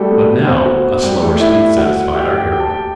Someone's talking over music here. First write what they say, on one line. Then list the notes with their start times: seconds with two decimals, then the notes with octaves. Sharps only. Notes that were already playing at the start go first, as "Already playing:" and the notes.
But now a slower speed satisfied our hero.
Already playing: G3 A3 F#4 G4 A4
0.11 A3 A4
0.29 B3 B4
0.47 C4 C5
0.65 F#4
1.03 G3 G4
1.22 A3 A4
1.40 E4 E5
1.77 F#4 F#5
2.14 G4 G5
2.33 G4 G5
2.51 G5
2.60 A5
2.69 G4 G5